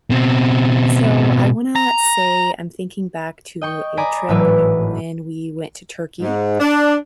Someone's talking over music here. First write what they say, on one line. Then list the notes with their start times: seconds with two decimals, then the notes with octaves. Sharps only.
So I wanna say I'm thinking back to a trip when we went to Turkey,
0.10 B2 C4
1.76 A#5
3.61 D#5 G5 C#6
3.97 D5 G#5 A#5 B5 D6 D#6
4.28 G#1 A2 E3 F#3 B4 E5
6.21 G#2
6.60 D4